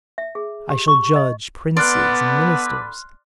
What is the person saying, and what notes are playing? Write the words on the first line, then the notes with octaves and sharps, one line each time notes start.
I shall judge princes and ministers.
E5
G#4
G4
C#6
D#5
D3 B3 B4 D5 C6 F6 F#6